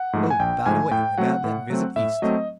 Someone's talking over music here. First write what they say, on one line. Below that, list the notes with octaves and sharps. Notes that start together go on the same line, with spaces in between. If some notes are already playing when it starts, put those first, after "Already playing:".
Oh, by the way--about that visit East.
Already playing: F#5
G#2 F3 A3
G#5
A#1 G5
G#2 F3 A3 G#5
A2 G5
F#3 A3 C4 F#5
A2
F#3 A3 C4
A2 E5
F#3 A3 C4 D#5